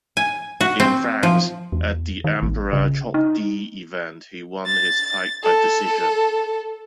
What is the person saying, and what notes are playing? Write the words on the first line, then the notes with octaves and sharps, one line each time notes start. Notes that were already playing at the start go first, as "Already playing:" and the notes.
In France at the Emperor Chok Dee event he won his fight by decision.
G#5
F#4
C4
F3
E2
D#3
A1
C#3
D#4
A6
A4